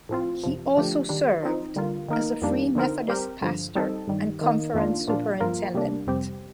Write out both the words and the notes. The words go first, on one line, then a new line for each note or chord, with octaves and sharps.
He also served as a Free Methodist pastor and conference superintendent.
A2 F3 C4 F4
F2 C3 F3
D3 F3 A3 D4 G4
D#3 G3 D4
F3 C4 D#4
D3 G3 A#3 F4
D#3 A#3 D#4 A#4
F2 D#3 G3 A#3 D4
D3 F3 C4 D#4 A#4
G3 C4 G4 A#4
G2 D3 F3
G3 C4 D#4 A4
G2 D#3 G3
D#3 A#3 D#4
F2 D#3 A#3 D4 F4
A#2 F3 A#3 D4 F4
G2 F3 A#3 F4 A#4
C3 G3 A#3 D4
F2 C3 G3 C4 G4